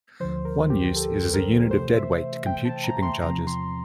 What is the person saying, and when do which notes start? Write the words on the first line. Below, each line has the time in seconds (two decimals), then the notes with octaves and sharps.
One use is as a unit of deadweight to compute shipping charges.
0.20 D2 D3 F3 C5
0.45 A#4
0.70 G4
0.96 A4
1.34 A#4
1.71 C3 E3 A3 C5
1.96 E5
2.46 G5
2.65 A5
2.76 A5
2.84 A#5
3.02 C6
3.21 E2 C3 F3 C4 A#5
3.47 C6